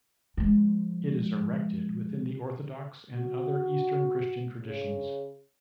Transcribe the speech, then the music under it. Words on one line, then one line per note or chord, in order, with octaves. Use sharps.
It is erected within the Orthodox and other Eastern Christian traditions.
F3 G#3
F#4
C#3